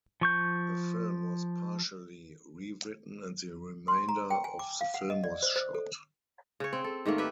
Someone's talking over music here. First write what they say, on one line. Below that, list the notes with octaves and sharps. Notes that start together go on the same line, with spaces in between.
The film was partially re-written and the remainder of the film was shot.
F3 C#6 G6
C6
A#5
G5
G#5
D6
F5
F#5
D#5
D5
C5
C5
A4
C#3 C#5
C4
A4
G#2 D#3 A3 A#3
G4 B4 E5